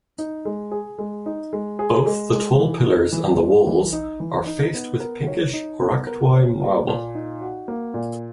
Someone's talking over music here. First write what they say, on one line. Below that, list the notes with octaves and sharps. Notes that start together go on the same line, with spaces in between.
Both the tall pillars and walls are faced with pinkish Oraktuoy marble.
D#4
G#3
G#4
G#3
D#4
G#3
G#4
G#3
G#3
E3
D#4
E3
G#3
E3
D#4
E3
D#4
B3
A#4
C#5
D#4
B3
A#4
C#5
A#3
A#2
D#4
F#4
A#3
A#2